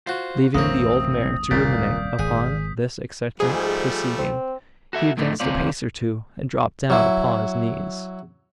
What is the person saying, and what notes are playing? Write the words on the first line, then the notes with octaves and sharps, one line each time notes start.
Leaving the old mare to ruminate upon this eccentric proceeding, he advanced a pace or two, and dropped down upon his knees.
F4 F#4 C5
A1 E2 G2 C3 A#3 C4 C#5 D#6
D#1 C2 F#2 A#2 D5 F5 G6 B6
G#1 G#4
G#2 F3 G3 A3 G#4
C4
F#4 A4 E5
F2 A2 D3 A3 D#4
D2 C3 C4 C#4 F4 D5
F#3 E4